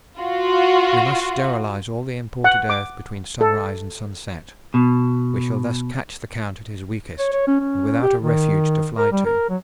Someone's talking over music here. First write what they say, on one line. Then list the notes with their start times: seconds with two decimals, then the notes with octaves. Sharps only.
We must sterilise all the imported earth between sunrise and sunset; we shall thus catch the Count at his weakest, and without a refuge to fly to.
0.17 F4 F#4
2.44 F#5
2.70 D6
3.41 A4
4.74 B2
7.19 C#5
7.33 C#5
7.47 C#4
7.60 C#4
8.02 G4
8.22 D#3
8.98 A#4
9.12 G3
9.25 A#4
9.49 F#3